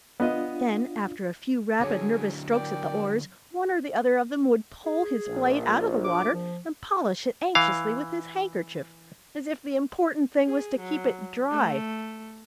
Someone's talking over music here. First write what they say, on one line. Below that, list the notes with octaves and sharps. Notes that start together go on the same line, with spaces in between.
Then, after a few, rapid, nervous strokes at the oars, one or the other of them would pull his blade out of the water and polish it anxiously with his handkerchief, as if the important thing was to keep it dry.
B3 D4 F4 D#5
D3 F#3 G#4 A4 C#5 D6 A#6
A#4 D5 G5
G#4
A#1
D6
F3
E3 F5
G#4
F#3
A3